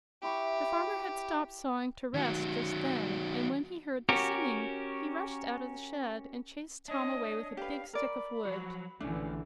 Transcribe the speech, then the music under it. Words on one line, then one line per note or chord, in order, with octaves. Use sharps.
The farmer had stopped sawing to rest, just then; and when he heard the singing he rushed out of the shed, and chased Tom away with a big stick of wood.
E4 G4 B4 C#6
D#3 F#3
C#4 F#4 G4 A#4
D4 C#5 D#5
G4 B4 F5
A#4 D5 B5
F3 F#3 F#4
A#1 D3 E3 A3 C#4 D4